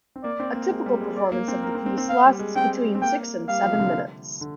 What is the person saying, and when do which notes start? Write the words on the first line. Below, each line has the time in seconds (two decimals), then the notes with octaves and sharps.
A typical performance of the piece lasts between six and seven minutes.
0.16 C4
0.23 A#3 D5
0.40 C4
0.55 A#3
0.71 G#3
0.86 G3
1.01 G#3
1.16 G#3 D5
1.32 A#3
1.48 C4
1.63 A#3 A#4
1.75 C4
1.86 C4
1.98 C4
2.08 A#3 F5
2.25 G3
2.39 G#3
2.56 C4 G5
2.95 C4
3.02 A#3 G5
3.48 G3 F5
3.63 F3
3.73 C3
3.79 D3
4.41 D3